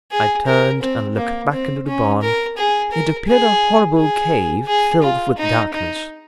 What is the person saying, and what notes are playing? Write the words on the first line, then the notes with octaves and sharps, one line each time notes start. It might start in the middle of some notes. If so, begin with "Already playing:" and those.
I turned and looked back into the barn. It appeared a horrible cave filled with darkness.
G#4
A#4
C4
A#3
C4
C#4
A#4
G#4
A#4
G#4
G#4
G#4
F4
D#4
D#4